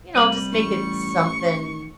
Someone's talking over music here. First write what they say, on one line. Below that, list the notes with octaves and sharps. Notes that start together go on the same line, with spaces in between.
you know, just make it something.
C3 G3 D#7 F#7
A1 C#6